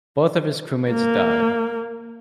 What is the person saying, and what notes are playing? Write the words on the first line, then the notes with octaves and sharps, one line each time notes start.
Both of his crewmates died.
A#3